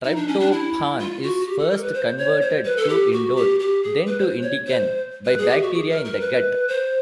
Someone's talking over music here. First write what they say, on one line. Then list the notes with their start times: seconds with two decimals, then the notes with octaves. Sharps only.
Tryptophan is first converted to indole, then to indican by bacteria in the gut.
0.04 D#4
0.16 D4
0.28 C#4
0.40 D4
0.52 E4
0.99 F4
1.23 F#4
1.40 F#4
1.46 G4
1.59 A4
1.70 A#4
1.82 B4
1.94 C5
2.18 C#5
2.41 C5
2.65 B4
2.77 A4
2.89 G4
3.13 F#4
3.36 G4
3.60 G4
3.83 G#4
4.07 B4
4.19 C5
4.43 C#5
4.67 C5
5.25 B4
5.38 G#4
5.50 G4
5.62 F#4
5.73 G#4
5.89 A#4
6.05 A#4
6.21 B4
6.68 C5